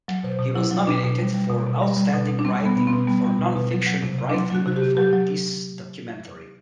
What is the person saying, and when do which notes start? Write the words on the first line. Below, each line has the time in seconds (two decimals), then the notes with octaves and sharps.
He was nominated for outstanding writing for non-fiction writing for this documentary.
0.08 F#3
0.23 B2 C5
0.39 B2
0.55 F#3 E4
0.71 F#3
0.87 B2 D4
1.03 B2
1.19 G3
1.34 G3
1.50 B2
1.66 B2
1.82 G3
1.97 G3
2.14 B2
2.28 B2
2.39 D4
2.44 G3 C4
2.60 G3
2.65 B3
2.76 B2 B3
2.87 C4
2.93 B2
3.07 G3 B3
3.24 G3
3.39 B2
3.56 B2
3.71 F#3
3.87 F#3
4.03 C3
4.19 C3
4.30 D4
4.34 F#3 C4
4.50 F#3 F#4
4.65 C3 F#4
4.76 G4
4.82 C3
4.97 F#3 G4
5.13 F#3